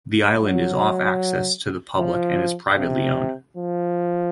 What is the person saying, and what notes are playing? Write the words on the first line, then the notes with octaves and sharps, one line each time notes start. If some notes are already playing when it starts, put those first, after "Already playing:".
The island is off access to the public and is privately owned.
F#3
F3
C3
F3